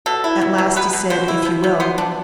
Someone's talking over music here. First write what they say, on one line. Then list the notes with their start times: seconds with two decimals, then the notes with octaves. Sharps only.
At last he said, "If you will."
0.06 B2 A4
0.24 E4
0.41 B2
0.58 B2
0.76 B3 B4
0.93 B2
1.10 B2 C5
1.28 E4
1.45 C3
1.64 C3
1.80 B3 C5
1.98 D4